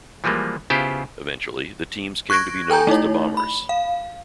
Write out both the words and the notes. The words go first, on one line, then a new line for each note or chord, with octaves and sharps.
Eventually, the teams came to be known as the Bombers.
E3 F3 G3 G#3 A#3
C#3 B3 E4 F4 G4 C5
C#6 F#6 G#6 A#6 D7
A4 G5 G#5 A#5 G6
A3 D#4 E4 C#5
B5
F5